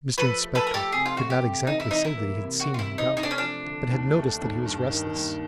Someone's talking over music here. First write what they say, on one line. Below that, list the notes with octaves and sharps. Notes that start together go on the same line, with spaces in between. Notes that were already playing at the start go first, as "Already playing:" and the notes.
Mr Inspector could not exactly say that he had seen him go, but had noticed that he was restless.
F3 A4 B4
A3
A4 B4
A3 A#4
G4 A4
C3 G#4
F4
A3 F#4
G4
C3
E3 D#4
E4
E3 D#4
E4
A#3
C3
F#4
C3
F4
E4
C3
D#4
A3 D#4
D4
C#4
F3 D4
D3
D#2
A3
D#2
G2
D#3
G2